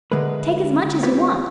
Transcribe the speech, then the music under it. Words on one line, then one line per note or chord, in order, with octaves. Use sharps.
Take as much as you want.
D3 G#3 A3 A#4 B4
F4 G4 B4 C#5